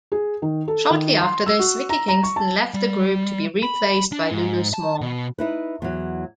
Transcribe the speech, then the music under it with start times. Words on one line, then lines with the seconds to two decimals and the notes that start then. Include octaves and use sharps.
Shortly after this Vicky Kingston left the group, to be replaced by Lulu Small.
0.12 G#4
0.42 D#3
0.68 A4
0.90 D#3
1.21 C6
1.46 E6
1.59 F#4
1.89 A#5
2.08 A#5
2.23 C#6
2.36 A5
2.74 G3
3.63 B5
4.12 D4
4.31 G#2
4.74 A5
5.01 B2
5.38 D#4 E4 B4
5.82 E2 F#3